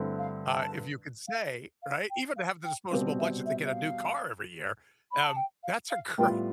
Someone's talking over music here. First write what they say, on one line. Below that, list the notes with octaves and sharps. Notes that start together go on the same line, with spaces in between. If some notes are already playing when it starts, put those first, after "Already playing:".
Uh, if you could say, right? Even to have the disposable budget to get a new car every year, um, that's a great
Already playing: G2 D3 A3 C4 E4
F5
A5
F5
F5
G5
F5
G5
B2 G3 C4 F5
E5
E5
E5
F5
B5
A5
G5
F5
F5
A2 G3 B3 F4 B4 G5